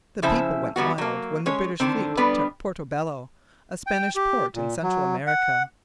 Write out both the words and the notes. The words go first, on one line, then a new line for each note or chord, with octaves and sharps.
The people went wild when the British fleet took Porto Bello, a Spanish port in Central America.
C#3 F3 C#4 E4 C5 E5
E2 G3 B3 F#4
F#3 A#3
G#3 C#4 C#5
D3 D#3 C4
G3 B3 D4 B4
G5
G4
A#2
F#3
F#5